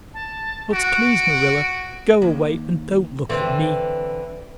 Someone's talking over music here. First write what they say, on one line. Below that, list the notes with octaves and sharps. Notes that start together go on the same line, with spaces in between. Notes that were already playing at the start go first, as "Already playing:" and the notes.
But please, Marilla, go away and don't look at me.
A5
F#4 D7
D#2
D3 E3 C4